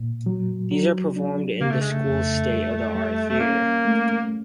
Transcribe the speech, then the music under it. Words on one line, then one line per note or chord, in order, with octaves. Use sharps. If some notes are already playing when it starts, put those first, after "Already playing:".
These are performed in the school's state of the art theatre.
Already playing: A#2
F#3
F#3
D4
C#3 A#3
A3
G#3
A3
F2
G3
G3
A3
A#3 C#4
A3